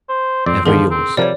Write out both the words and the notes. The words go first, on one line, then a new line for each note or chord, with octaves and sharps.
Ever yours.
C5
F2 C4 D5
E2 D3 D#3 F3 G#4 A#4
C4
C3 F3 G3 A#4 C#5 D5